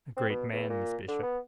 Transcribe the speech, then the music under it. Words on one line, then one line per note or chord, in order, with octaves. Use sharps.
A great man, Miss Bishop.
C4
B2
E2
A#2
D3
B3